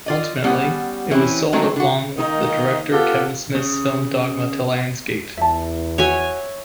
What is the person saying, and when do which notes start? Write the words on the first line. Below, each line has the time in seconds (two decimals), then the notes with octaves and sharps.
Ultimately, it was sold along with director Kevin Smith's film "Dogma" to Lionsgate.
0.06 F4 D5 D#5
0.44 G3 B3 C#4 D5 F#5
1.11 E3 C4 C#4 E4
1.53 D#3 F#3 G#3 A3 C4 D#4
1.76 D3 F#4
2.18 D#3 A#3 D#4
2.92 B3 F4 G4 A4
3.55 C#3
5.37 E2 E5 A5
5.98 F#4 C#5 E5 G#5